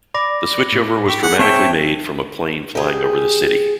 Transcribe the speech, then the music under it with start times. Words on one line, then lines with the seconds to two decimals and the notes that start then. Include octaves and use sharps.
The switchover was dramatically made from a plane flying over the city.
0.14 D5 B5 D6 A#6
0.72 A2
1.08 G4 C#6 B6
1.23 G#4 F#5
1.39 C4 C#5 E5 G5 A5 D7
2.75 G4 G#4